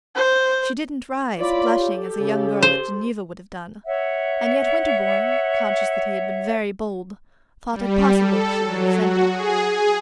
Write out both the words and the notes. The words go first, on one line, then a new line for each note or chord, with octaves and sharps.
She didn't rise, blushing, as a young girl at Geneva would have done; and yet Winterbourne, conscious that he had been very bold, thought it possible she was offended.
C5
E4 F4 C#5 D5 B5
G4 A4
C#3
C5
C#5 E5 F#5
G3
A4
F#3
F#4
G#4
G#4